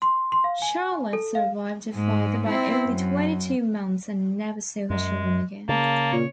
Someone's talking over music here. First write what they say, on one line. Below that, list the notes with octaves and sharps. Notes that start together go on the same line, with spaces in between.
Charlotte survived her father by only twenty-two months and never saw her children again.
C6
C6
F5
G#5
A4
F5
G#2 G#3
C4 E4
F#2
F#2 G#3
C#3 A#3 A5
A#2 C#5